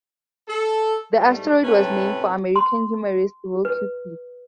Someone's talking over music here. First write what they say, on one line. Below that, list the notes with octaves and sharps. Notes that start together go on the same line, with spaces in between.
The asteroid was named for American humorist Will Cuppy.
A4
G#2 G3 A3
A2 C3 C#4 B4 A5
C6
B4